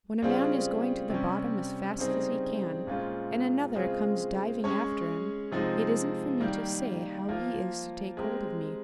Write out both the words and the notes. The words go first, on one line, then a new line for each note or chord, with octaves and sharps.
When a man is going to the bottom as fast as he can, and another comes diving after him--it isn't for me to say how he is to take hold of me.
C#3 G3 C4 F4 G#4
C3 G3 C#4
C#3 G3 C4 D#4 G#4
A#2 G#3 C#4 F4 C5
C#3 G#3 C4 F4 G#4
G#3 C#4 G#4 C#5
C3 F3 G#3 D#4
D#3 G3 A#3
F3 A#3 F4
G#3 C4 G4 A#4